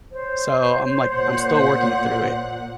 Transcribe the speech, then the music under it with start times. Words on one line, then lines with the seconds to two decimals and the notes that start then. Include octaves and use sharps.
So, I'm, like, I'm still working through it,
0.11 C5 C#5
1.12 A#2 F#5